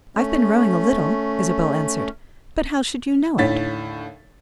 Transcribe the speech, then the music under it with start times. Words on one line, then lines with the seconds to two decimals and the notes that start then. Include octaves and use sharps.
"I've been rowing a little," Isabel answered; "but how should you know it?"
0.15 A3 C#4
3.38 D#2 A2 D3 C#5 A6 B6